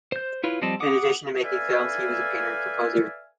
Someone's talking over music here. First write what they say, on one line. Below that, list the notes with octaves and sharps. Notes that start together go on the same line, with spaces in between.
In addition to making films, he was a painter and composer.
C5 G6
E4 F4 B4 C#5
F3 G3 C4 D#5 A5
F#5 D6 D#6
A4 B4 D5 E5 F5 G#5